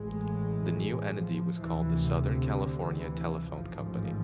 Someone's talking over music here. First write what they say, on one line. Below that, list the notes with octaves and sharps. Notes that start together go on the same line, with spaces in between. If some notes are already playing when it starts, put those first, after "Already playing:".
The new entity was called The Southern California Telephone C.
Already playing: A1 A2 G#3
F3
D2 C3 E3
D3
D3
E3
A1 G#2 F3
F3